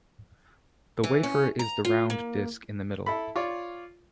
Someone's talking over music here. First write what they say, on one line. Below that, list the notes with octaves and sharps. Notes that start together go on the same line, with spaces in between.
The wafer is the round disc in the middle.
E3
C#4
A#5
F4
A#3
E4 A4 B5
F4 C#5 D5